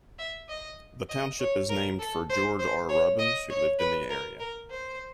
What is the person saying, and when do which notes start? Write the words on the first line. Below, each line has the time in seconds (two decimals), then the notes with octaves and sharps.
The township is named for George R. Robbins, who lived in the area.
0.19 E5
0.49 D#5
1.09 D#5
1.39 C#5
1.69 A#4
1.99 A4
2.30 C5
2.59 C5
2.89 C#5
3.19 D#5
3.50 C#5
3.79 B4
4.10 A#4
4.40 A#4
4.70 C5